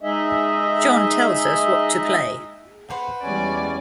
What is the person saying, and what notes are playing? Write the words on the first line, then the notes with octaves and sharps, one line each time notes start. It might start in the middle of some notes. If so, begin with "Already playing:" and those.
John tells us what to play.
G#3 D#4 G#4 D#5 E5
B4 C5 F#5
E2 G3 G#3 C#4 D5 G#5